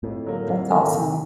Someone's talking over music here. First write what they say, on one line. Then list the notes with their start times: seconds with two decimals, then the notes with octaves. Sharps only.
That's awesome.
0.03 F2 A2
0.25 D3 F#3 A#3
0.47 F2
0.69 D3 F#3 A#3
0.91 C3